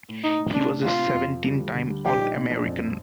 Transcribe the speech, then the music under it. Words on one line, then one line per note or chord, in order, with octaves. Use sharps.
He was a seventeen-time All-American.
A2
A2 D#4
A2
A2 D4
A2
C3 F4
C3
F2
F3
G3
D2
D3
G3
A#1 G4
D#4
A#2
A#1
F2